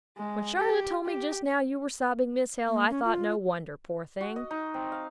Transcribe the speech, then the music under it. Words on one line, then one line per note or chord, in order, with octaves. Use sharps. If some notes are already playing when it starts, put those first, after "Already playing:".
When Charlotte told me just now you were sobbing, Miss Hale, I thought, no wonder, poor thing!
G#3
G4
G4
A#3
C#4
F4
F#4
D#5
D#4
C4
F5